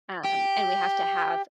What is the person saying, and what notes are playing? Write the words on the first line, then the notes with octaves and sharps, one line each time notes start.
um, and we have to have
G4